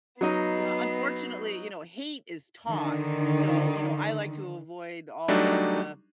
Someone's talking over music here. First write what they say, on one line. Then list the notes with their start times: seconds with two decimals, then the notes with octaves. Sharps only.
Yeah, unfortunately, you know, hate is taught. So, you know, I like to avoid all of the
0.21 F#3 B3 D#4 D#5 C7
2.67 D3 D#3
5.28 F#3 G3 A3 D4 D#4